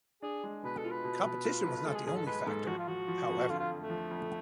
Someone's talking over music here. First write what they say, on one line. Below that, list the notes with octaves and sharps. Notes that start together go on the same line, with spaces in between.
Competition was not the only factor, however.
D4 G#4
G#3
B2 B4
A4
F4
B4
B2
B2
F4
B1
G#3 A4
G#4
G#2 G#4
A4
G#3 B4
G#2 A4
F3 F#4
F4
F3 F#4
F3
F2
D3 F4
F4
F2
A3
F3
F2